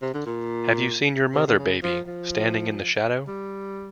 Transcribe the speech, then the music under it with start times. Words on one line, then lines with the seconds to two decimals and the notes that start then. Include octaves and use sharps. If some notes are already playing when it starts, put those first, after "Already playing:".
Have You Seen Your Mother, Baby, Standing in the Shadow?
0.02 C3
0.14 D3
0.26 A#2
1.34 C3
1.47 D3
1.58 C#3
1.83 F3
2.07 F3
3.28 G3